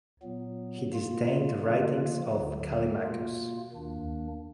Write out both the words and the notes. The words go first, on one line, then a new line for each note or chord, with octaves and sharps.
He disdained the writings of Callimachus.
A#2 F#3 B3
B2 A#3 F4
D3 F3 A#3 F4
D2 D3 F#3
B2 A#3 F4
D#2 D#3 A#3 D4